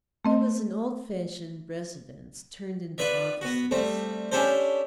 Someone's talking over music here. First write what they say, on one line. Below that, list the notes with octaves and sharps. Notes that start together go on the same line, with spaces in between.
It was an old-fashioned residence turned into offices.
A3 C4 D#5
F4 B4 D5 E5
B3 F#4
G3 A3 C4
C#4 D4 E4 G4 A4 C5